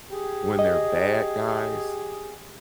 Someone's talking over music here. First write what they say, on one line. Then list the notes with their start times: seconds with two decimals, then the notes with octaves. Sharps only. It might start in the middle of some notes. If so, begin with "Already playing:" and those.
when they're bad guys,
0.11 G4 G#4
0.59 D#5